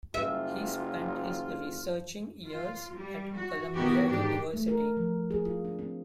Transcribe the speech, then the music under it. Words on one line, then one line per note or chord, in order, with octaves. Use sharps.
He spent his researching years at Columbia University.
F#1 F4 E5
F4
G3
F#4
A#2 D#3 E3 B3 F#4 G4
G#2 D4 G4
A3
A#4
F3
G#4
F4
D4
C4